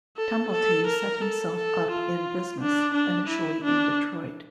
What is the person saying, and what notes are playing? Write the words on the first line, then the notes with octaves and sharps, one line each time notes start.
Tumblety set himself up in business, initially in Detroit.
A4
A4
A#4
A4
A4
F4
D4
D4
E4
D4